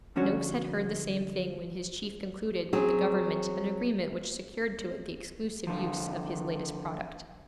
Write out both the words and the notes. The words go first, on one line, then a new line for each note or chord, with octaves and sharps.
Noakes had heard the same thing when his chief concluded with the government an agreement which secured to it the exclusive use of his latest product.
D2 F3 C#4 D4 F#4 C#5
F#3 C4 G#4
D3 F3